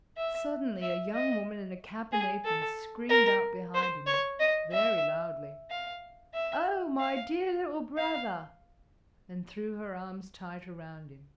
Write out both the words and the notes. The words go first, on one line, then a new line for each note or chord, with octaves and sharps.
Suddenly a young woman in a cap and apron screamed out behind him very loudly: "Oh, my dear little brother!" and threw her arms tight around him.
E5
E5
D#5
G#4
A4
A#4
C5
C#5
D#5
E5
F5
E5
F5
F5